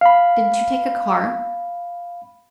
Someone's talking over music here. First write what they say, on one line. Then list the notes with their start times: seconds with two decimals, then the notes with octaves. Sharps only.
"Didn't you take a car?"
0.01 F5 B5